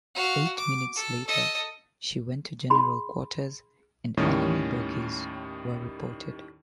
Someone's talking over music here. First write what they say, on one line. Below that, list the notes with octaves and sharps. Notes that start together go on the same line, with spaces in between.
Eight minutes later, she went to general quarters, and enemy bogies were reported.
F#4 F5
D6
A4
A4 D#5
G#4 B5 C6
D#2 A2 D#3 G3 C#4